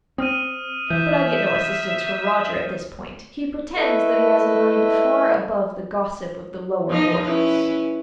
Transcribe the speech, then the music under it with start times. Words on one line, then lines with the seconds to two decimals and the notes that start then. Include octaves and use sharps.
But I get no assistance from Roger at this point; he pretends that he has a mind far above the gossip of the lower orders.
0.18 C4 D#6 F6 D#7
0.90 E3 E5 G6
3.76 A3 E4 A4 B4 D#5 E5
6.90 F3 D#4 D#5
7.22 C#4 E4 B4